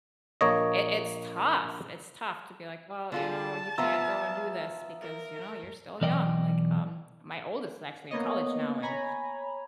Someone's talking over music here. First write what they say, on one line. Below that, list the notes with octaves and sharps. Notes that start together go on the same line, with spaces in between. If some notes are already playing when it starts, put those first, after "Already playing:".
it it's tough, it's tough to be like, "Well, you know, you can't go and do this because, you know, you're still young," like, um, my oldest is actually in college now, and,
A#1 A#3 C#5 D#5
D3 F4 G#4 A5
F3 B3 F4 E5 A#5 E6
A#4
B1 E3 D5 D#5 G5
A#3 B3 C#5 D#5
C#5 G#5 A#5 B5